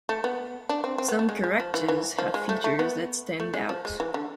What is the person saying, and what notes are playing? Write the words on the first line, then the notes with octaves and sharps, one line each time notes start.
Some characters have features that stand out.
A3
B3
D4
C4
C4
B3
A3
G#3
G#3
F3
E3
E3
F3
G#3
A3
A3
B3
A3
G#3
F3
G#3
E3
D3